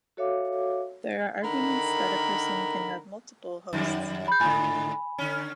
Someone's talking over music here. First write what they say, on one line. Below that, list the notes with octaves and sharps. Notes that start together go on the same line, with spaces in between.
There are arguments that a person can have multiple hosts.
F#4 A4 C#5 E5 F5 D6
D3 D#3 A#4 B5
F2 D#3 G3
B5 G6
G#2 D3 G#5 B5
D3 C#4